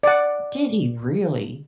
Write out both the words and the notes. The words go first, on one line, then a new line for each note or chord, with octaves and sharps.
Did he really?
D5 F#5